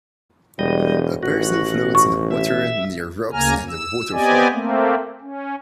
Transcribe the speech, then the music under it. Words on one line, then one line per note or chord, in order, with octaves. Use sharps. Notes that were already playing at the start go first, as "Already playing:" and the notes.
A person floats in water near rocks and a waterfall.
E1 G3 D#5
A1 F#4
C#6
E5
D2 C#3 A#3 G#5 A#5 F6
E6
B3 C4 G4 D5 D#5 G#5
A3 A#3 C4
C#4